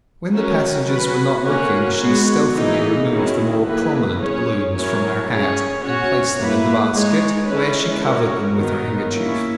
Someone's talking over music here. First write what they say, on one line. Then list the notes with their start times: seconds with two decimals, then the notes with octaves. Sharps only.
When the passengers were not looking she stealthily removed the more prominent blooms from her hat and placed them in the basket, where she covered them with her handkerchief.
0.34 F#3 C#4 F#4 A#4
0.89 C#4 F#4 B4
1.43 A#3 C#4 F#4 A#4 C#5
1.98 G#3 B3 F#4 C#5
2.53 E3 A#3 D#4 G#4
3.08 D#3 F#3 C#4 E4 G#4
3.63 A#3 E4 G#4 B4
4.18 C#4 G#4 C#5
4.73 F#3 C#4 E4 A#4 C#5
5.27 C#4 G#4 C#5
5.82 C#4 F#4 C#5
6.37 A#3 E4 B4
6.92 G#3 D#4 G#4 C#5
7.47 G#3 C#4 E4 B4
8.02 C#4 F#4 A#4 C#5
8.57 D#3 F#3 B3 D#4 A#4
9.12 A#3 C#4 E4